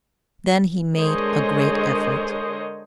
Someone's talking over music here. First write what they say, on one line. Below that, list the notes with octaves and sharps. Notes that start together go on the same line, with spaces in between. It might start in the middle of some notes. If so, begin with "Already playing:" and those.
Then he made a great effort.
D3 G#3 A#4 C5 C#5 D#5